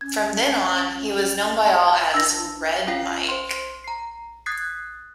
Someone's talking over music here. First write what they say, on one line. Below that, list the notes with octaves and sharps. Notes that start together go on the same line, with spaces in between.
From then on he was known by all as "Red Mike".
C#4 G#6
D4 E6 A#6
C#4 F4 F5 G5 A#6 C7
C5 C6
A#5 C7
D#6 F#6 G#6 A6 B6 C7